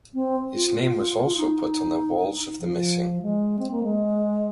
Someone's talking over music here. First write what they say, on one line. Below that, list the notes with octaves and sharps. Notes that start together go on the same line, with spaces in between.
His name was also put on the Walls of the Missing.
C4
F4
F4
D#4
F3
G#3
C4
A#3
G#3